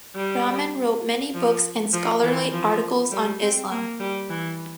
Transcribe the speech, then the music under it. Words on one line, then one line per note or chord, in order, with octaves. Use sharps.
Rahman wrote many books and scholarly articles on Islam.
G3
F3
F3
E3
F3
G3
C4
A#3
G3
E3